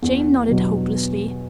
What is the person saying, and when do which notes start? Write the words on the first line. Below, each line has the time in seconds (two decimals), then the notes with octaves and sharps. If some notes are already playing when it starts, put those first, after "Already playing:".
Jane nodded hopelessly.
0.02 E2
0.48 B2 F#3